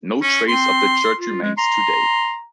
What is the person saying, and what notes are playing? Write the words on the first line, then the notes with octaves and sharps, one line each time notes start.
No trace of the church remains today.
C#4
C4 C6
F4
G#3
A#5 C6